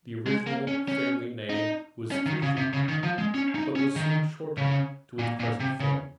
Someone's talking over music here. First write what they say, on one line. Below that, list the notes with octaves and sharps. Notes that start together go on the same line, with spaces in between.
The original family name was Pfirsching, but was soon shortened to its present form.
G#3
A#3
C#4
C#4
D#4
C#4
D#3
C#3
C3
C#3
D#3
F3
G#3
C#4
D#4
C#4
D#3
C#3
A#2
A#2
C3
C#3